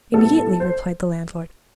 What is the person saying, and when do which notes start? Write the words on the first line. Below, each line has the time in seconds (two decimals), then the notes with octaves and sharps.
"Immediately," replied the landlord.
0.13 A2 G3 B3 A4
0.60 C5